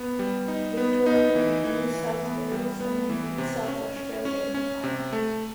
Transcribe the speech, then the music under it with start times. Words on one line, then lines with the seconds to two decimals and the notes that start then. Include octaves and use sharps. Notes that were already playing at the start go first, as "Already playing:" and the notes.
Victoria beat New South Wales and then beat South Australia in the final.
Already playing: B3
0.19 G3
0.48 D#4
0.77 B3
1.06 D#4
1.35 E3
1.64 E3
1.93 E3
2.23 B3
2.52 G3
2.80 B3
3.10 E3
3.38 C3
3.68 C#4
3.96 C#4
4.25 C#4
4.54 C#4
4.84 C3
5.13 A3